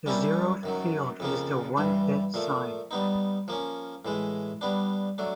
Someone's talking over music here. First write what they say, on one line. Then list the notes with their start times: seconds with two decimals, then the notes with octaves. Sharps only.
The zeroth field is the one-bit sign.
0.06 G3 A#3 C#4 E4 G4
0.63 F#2 D#3 F#3
1.20 F2 C#3 F3 A#3
1.77 G2 E3 G3
2.34 A#2 F3 A3
2.91 G3 B3 D#4
3.48 F3 A#3 C#4
4.05 A2 E3 G#3
4.61 G3 B3 D4
5.18 F#3 A3 D4